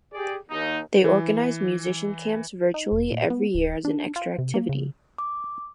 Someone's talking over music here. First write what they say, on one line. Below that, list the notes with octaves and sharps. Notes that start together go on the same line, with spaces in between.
They organize musician camps virtually every year as an extra activity.
G4 G#4 D5
D#2 D#4
E3
D#4
F1
A#2
B3
D1
D4
F4
C3
A#3
C#3
D6